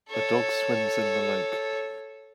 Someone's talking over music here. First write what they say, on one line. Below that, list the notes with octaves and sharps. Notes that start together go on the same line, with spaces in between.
A dog swims in the lake.
A4 C#5